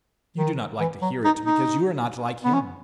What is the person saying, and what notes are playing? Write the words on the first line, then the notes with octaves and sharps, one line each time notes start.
You do not like to hear it because you are not like him.
D#3
E3
F#3
D#4
D#4
B3
C#4